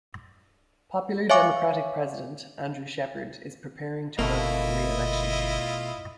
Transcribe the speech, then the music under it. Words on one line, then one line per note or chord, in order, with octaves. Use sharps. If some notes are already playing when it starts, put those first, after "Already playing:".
Popular Democratic President Andrew Shepherd is preparing to run for re-election.
C#5 E5 F5 G#5 C#6 D6
G1 B2 A3 A#3 E4 F4 D#5